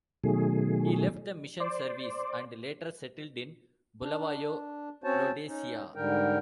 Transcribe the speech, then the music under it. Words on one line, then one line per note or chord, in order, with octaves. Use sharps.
He left the mission service and later settled in Bulawayo, Rhodesia.
B2 D#3 F#3 A3 G#4
C5 D5
D4
C4 C#4 F#4 C5 C#5 A5
C#4 D#4
G#2 D3 G3 A#4 G5